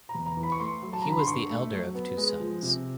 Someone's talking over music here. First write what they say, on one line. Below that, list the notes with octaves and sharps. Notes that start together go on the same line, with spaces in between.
He was the elder of two sons.
A#5
E2
A#5
E3
B5
C#6
A3 C6
F#3
A5
D3 A#5
B5
C6
G2 C#6
A3
F#3
B3
G#3
F3
C3